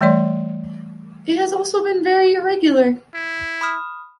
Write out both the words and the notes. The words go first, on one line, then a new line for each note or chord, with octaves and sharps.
It has also been very irregular.
E3 G3 A3 C#5 D5 C6
E4
B5 D#6 F6